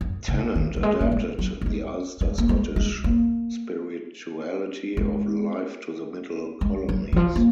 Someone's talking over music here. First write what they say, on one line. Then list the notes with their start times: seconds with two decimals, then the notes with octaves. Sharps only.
Tennent adapted the Ulster Scottish spirituality of life to the middle colonies.
0.01 F#2
0.28 C#3
0.55 D#3
0.76 F#3
0.83 G#3
1.01 A#3
1.12 G#3
1.39 F#3
1.61 A#3
1.66 G#3
2.21 G#3
2.38 A#3
2.49 G#3
2.76 G#3
3.04 A#3
4.97 G#3
6.61 G#3
6.89 F#3
7.13 D#3
7.16 F3
7.36 A#3